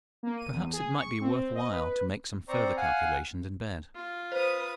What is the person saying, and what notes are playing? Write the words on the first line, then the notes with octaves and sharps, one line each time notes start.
Perhaps it might be worth while to make some further calculation in bed.
A#3
D#7
E2
G#4
C#6
C4
D#5
B4
C4 C5 D5 A#5 C#6
F5 F#5 G#5
F4
B4 C5 D#6